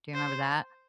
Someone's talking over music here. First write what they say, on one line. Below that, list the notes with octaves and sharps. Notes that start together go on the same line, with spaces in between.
do you remember that?
C5